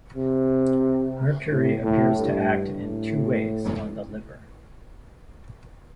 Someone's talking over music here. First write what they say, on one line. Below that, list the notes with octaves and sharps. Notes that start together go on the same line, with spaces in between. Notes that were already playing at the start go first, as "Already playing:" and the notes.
Mercury appears to act in two ways on the liver.
C3
A2
A2
G2
A2